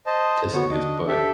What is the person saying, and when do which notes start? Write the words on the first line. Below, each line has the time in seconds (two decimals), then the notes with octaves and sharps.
Yes, it is, but
0.06 C5 D#5 A5
0.53 D3 B3 F#4 C#5
0.70 D4 D#5
1.08 D4 G4 A4 E5